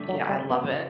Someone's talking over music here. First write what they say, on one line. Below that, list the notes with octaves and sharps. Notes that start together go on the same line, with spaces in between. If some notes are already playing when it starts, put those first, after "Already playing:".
Yeah, I love it.
Already playing: G2 D3 A3
F#3
G3
F#2 C#3 F#3 B3